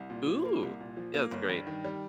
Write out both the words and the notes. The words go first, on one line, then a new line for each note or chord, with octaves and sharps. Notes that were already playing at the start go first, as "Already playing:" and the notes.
Ooh. Yeah, that's great.
Already playing: C2
A#2
F3
A#3
C2
A#2
F3
A#3
G1
G2
D#3
G3